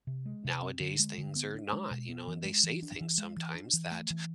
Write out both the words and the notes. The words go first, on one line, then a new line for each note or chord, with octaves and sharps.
nowadays things are not, you know, and they say things sometimes that
C3
G#3
C3
C4
D3
G#3
D3
B3
D4
G#3
B2
B3
E3
G#3
E3
D4
E3
G#3
E3
D4
E3
A3
E3